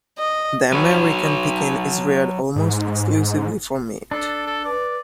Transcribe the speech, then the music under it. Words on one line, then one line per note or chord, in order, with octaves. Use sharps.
The American Pekin is reared almost exclusively for meat.
D#5
F#3 B4 C#5
G#2
D4 A4
A4
B4 D5